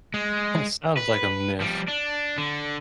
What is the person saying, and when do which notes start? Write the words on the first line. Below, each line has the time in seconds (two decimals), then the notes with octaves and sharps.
It sounds like a myth.
0.14 G#3
0.97 B4
1.60 F3 G3
1.88 D4
2.37 D3